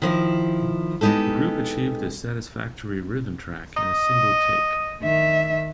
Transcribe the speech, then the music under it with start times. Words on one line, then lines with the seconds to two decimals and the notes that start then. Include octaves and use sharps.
The group achieved a satisfactory rhythm track in a single take.
0.02 D#3 F3 E4
1.01 G#3 B3 D#4 G4 A4
3.77 D#5
5.03 D#3 E5